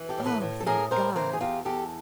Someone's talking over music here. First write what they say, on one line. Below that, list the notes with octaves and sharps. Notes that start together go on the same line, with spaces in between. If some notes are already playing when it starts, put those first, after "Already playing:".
Oh, thank God!
Already playing: E3
G4 A4
A2
A4 B4
A2
A4
A2 G#4 A#4
A2 A#4 C5
E3 A#4 C5
G#4
E2 F4 G4
E2 G4 A4